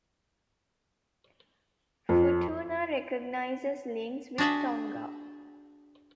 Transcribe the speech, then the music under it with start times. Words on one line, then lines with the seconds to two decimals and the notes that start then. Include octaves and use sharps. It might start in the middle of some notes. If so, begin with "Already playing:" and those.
Futuna recognizes links with Tonga.
2.09 F2
4.38 D4 F#4 G#4 A4 E5